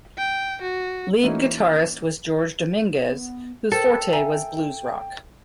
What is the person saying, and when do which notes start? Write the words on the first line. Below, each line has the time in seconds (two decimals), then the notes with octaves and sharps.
Lead guitarist was George Dominguez, whose forte was blues rock.
0.18 G5
0.62 F#4
1.23 E3 A#3 C#4 D#4 F#4
3.06 B3
3.72 A4 A#4 C5 G5
4.13 E5 G#5 A#5